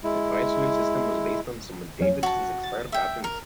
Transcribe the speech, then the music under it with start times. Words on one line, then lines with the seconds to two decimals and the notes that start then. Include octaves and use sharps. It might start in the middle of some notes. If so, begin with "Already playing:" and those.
The Chrysler system was based on some of Davis' expired patents.
0.03 G#3 E4
2.00 F2 F#3 C#4
2.23 F#4 A5
2.64 A6
2.92 E5 G5
3.24 A#4